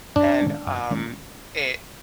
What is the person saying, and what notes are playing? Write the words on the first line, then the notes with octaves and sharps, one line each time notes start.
and, um, it
F#2 D4
D#3 G#3 C#4
F#2
D#3 G#3 C#4